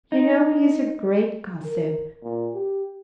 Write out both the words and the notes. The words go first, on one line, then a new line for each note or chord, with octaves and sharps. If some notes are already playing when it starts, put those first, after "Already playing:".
You know he is a great gossip.
D#4
A#4
A#2
G4